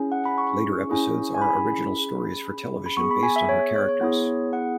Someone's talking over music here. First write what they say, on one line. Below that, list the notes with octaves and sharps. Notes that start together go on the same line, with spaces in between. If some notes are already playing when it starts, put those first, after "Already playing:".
Later episodes are original stories for television based on her characters.
Already playing: C#4 E4 G#4
F#5
B5
C#6
C#4 E4 G#4
G#5
B5
C#4 G#4
B5
B3 G#4 C#6
B5
G#5
E5
C#5
C#5
C#5
B3 E4 G#4
F#5